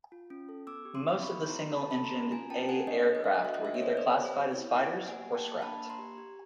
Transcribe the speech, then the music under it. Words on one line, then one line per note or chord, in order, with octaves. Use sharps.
Most of the single-engined "A" aircraft were either classified as fighters, or scrapped.
F4
C#4
A4
B3 D6 E6
G4
C6 D6
B3
E4 B5 C#6
B3
A#5 C6
G4
C#4 A5 B5
A5 B5
A4
A#5 C6
C#4
F4 G#5 A#5
C#4 G5 A5
A4 F#5 G#5
D4 C#5 D#5
A4
D#5
D4 E5
D#5
F#4 E5
D#5
D4 E5
C#5 D#5
A4 C5
C#5
B3 C5 D5
G4
C5
B3
E4 C#5
B3
C5 D5
G4
A#3 F#5 G#5
G4
G5 A5
A#3
D4 A5 B5
A#3
A#5 C6
G4
G4